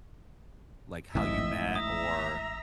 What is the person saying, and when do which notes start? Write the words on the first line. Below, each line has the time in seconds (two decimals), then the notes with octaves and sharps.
like how you met or
1.15 A1 G#2 D#5 E5
1.76 E5 A#5 D#6